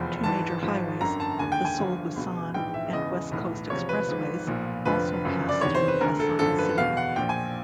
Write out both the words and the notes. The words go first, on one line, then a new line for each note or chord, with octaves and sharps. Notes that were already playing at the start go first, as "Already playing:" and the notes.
Two major highways, the Seoul-Busan and West Coast expressways, also pass through Asan city.
Already playing: F1 E2 F3
G#1 G#2 E3 A5
G#1 G#2 F3
G1 F#2 D3 A#5
A5
E1 D#2 D3 G#5
G5
G#5
G1 G2 D3 F3
C#2 B2
A#1 G#2 E3 G5
E5
E1 E2 C#3 E3 D#5
B1 A2 E3
E2 C3 F3 C#5
B4
G#1 G#2 F3
B1 A#2 F3
F1 F2 D3 F3 B4
G1 F#2 C#3 F3
D5
E2 C3 D#3 C#5
C5
B4
E1 D2 D3 A#4
A4
G#1 F#2 D3 F3 A4
B4
E2 B2 F5
F#5
A#1 A#2 F3 G5
G#5